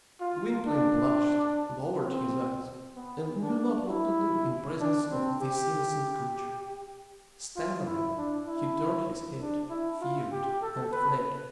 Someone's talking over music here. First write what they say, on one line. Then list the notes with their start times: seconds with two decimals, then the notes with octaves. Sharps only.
Gwynplaine blushed, lowered his eyes, and knew not what to do in presence of this innocent creature. Stammering, he turned his head, feared, and fled.
0.21 F4
0.67 D4
2.04 C4
2.96 B3
3.42 D4
3.88 E4
4.80 D4
5.10 C4
5.41 G4
7.56 F4
7.86 E4
8.17 D4
8.47 E4
9.39 D4
9.69 E4
10.01 F4
10.31 G4
10.62 A4
10.92 B4